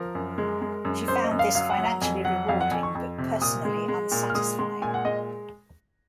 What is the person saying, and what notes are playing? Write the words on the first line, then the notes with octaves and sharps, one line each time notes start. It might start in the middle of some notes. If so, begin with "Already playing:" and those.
She found this financially rewarding, but personally unsatisfying.
Already playing: F3 A#4
F#2
G#3
G#3
F#2
F#2 C5
D#5
F#2
F5
F#3 F5
F#5
F#3
A#5
F2 G#5
F#3 F#5
F2 F5
F#5
F2 G#5
C#6
F2
C3
A#2 D#6
G#3
G#3
A#2
F6
G#3 D#6
G#3 C6
A#2 G#5
F#5
G#3 D#5